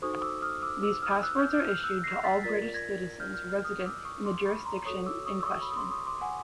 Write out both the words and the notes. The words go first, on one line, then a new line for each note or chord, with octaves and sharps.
These passports are issued to all British citizens resident in the jurisdiction in question.
D#4 F#4 A4 C5 C#6 D#6
D#6
D6 E6
D#6 F6
D6 E6
D6 E6
D#6 F6
E6 F#6
F6 G6
F6 G6
F6 G6
E6 F#6
A#6 C7
A6 B6
F4 A#4 D5 A6 B6
G#6 A#6
F6 G6
F6 G6
F6 G6
D#6 F6
D6 E6
C#6 D#6
C6 D6
B5 C#6
A#5 C6
F#4 A4 C#5 C#6 D#6
D6 E6
C#6 D#6
E6
C#6 D#6
B5 C#6
D#6
C6 D6
C#6 D#6
C6 D6
F#5 G#5